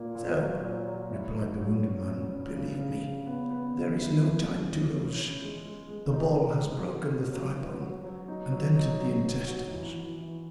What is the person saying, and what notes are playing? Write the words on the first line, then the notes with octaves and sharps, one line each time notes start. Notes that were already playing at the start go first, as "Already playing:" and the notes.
"Sir," replied the wounded man, "believe me, there is no time to lose; the ball has broken the thigh bone and entered the intestines."
Already playing: A#2 A#3
A#2
F#3
A#2
F#3
E4
F#3
F#3
C#4
C#4
C#4
C#3
C#3
C#3
B3
B3
C#3
E4
E3
C#4
E3
C#4
C#4
G#3
G#3
G#3
D#4
D#4
G#3
F#4
C#4
F#3
F#3
F#4
F#3
D#4
F#3
D#4
F#3
F#3
F#4
E3
E3
E3